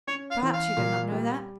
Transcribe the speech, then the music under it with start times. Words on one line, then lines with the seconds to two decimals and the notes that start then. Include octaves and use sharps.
Perhaps you did not know that?
0.07 C#4 C#5
0.31 F5
0.42 E3
0.53 F5
0.77 A#2
1.12 G3